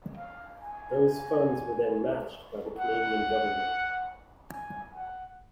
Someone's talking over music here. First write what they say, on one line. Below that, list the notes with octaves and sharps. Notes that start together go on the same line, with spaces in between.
Those funds were then matched by the Canadian government.
F5
G#5
F#5
G#5
F#5